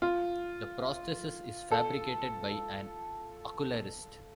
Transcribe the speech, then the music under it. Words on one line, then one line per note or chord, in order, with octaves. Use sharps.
The prosthesis is fabricated by an ocularist.
F4
A4